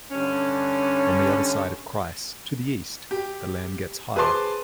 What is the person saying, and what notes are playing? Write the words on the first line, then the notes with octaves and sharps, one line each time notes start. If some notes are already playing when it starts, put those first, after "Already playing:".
On the other side of Chryse, to the east, the land gets higher.
G2 D3 C#4
G4
G#4 B4 C5 A5 C6 D6